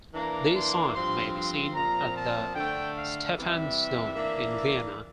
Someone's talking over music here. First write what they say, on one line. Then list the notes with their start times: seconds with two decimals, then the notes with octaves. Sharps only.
This sign may be seen at the Stephansdom in Vienna.
0.14 E3 A#3 D4 A#5
0.54 C6
0.94 G2 F3 C4 C6
1.34 C6
1.74 A#2 F3 C4 A#5
2.15 A5
2.55 D3 A3 D4 G5
2.95 F5
3.35 C3 E3 G3 E5
4.16 E3 A#3 D4